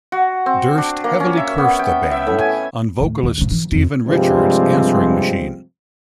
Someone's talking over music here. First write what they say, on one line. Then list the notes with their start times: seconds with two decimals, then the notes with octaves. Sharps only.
Durst heavily cursed the band on vocalist Stephen Richards' answering machine.
0.12 F#4
0.46 C4
0.78 D4
1.04 A#3
1.20 C#4
1.37 E5
1.58 B3
1.79 G5
2.11 E5
2.27 A2
2.39 G#5
3.00 D#2 A2
3.23 D#2
3.38 G#2 C#3
3.51 E3
3.72 F2 C4
4.07 G2 C3 F3 G3 G#3 C4